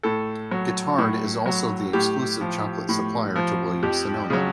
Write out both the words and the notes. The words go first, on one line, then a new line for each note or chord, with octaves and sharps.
Guittard is also the exclusive chocolate supplier to Williams-Sonoma.
A2 A4
F#3
A2
F#3
A2 G4
F3
A2
F3
F2 G4
C#3 F#3